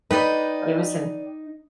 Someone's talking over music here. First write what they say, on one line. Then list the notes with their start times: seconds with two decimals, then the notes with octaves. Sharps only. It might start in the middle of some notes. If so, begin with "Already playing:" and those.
But it was in
0.11 D#4 B4 D5 D#5 G5